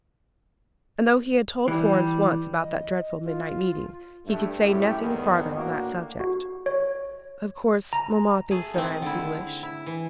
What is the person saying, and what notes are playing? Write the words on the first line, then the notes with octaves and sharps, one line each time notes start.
And though he had told Florence once about that dreadful midnight meeting, he could say nothing farther on that subject. "Of course mamma thinks that I am foolish."
E3 G3
D#5
F4
G2 A3
F#2 A2 A3 E4 G4
E2 G#2 D#3 A#3 B3
A2 A#3 D4 F#4
F#4
C#5
A#5
A3 G#4
D#3 C4
D3 E4
E4
E3